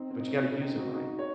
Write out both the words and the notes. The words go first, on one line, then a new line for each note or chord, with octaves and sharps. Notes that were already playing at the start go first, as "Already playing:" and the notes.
but you gotta use it right,
Already playing: C4 D#4
C4
D#4
C#4
C#4
C4 D#4
D#4 F#4
D#4 F#4
C#5